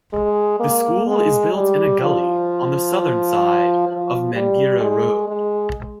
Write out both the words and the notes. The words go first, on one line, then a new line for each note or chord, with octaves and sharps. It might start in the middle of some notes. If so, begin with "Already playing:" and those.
The school is built in a gully on the southern side of Mangere Road.
G#3
A#3
G#3
G3
F3
F3
G3
G#3
G#3